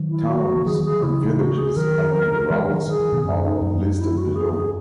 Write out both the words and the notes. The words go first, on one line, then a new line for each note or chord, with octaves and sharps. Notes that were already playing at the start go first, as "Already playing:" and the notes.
Towns and villages along the routes are listed below.
Already playing: D#3 F#3
E4
F#4
E3
D#3 F#3 G#4
G#4
F#3
C#3 E3 E4
D#4
F#4
G#4
D#3 F#3 A#4
E3 G#3
D#3 F#3
D#3 G#4
E3
B2 D#3
F#2 C#4
D#4
F#2
E4
F#4
G#4
G#4